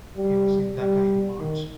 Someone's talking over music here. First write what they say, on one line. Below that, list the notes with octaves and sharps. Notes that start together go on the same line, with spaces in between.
He was in Dhaka in March.
G3
G3
D#3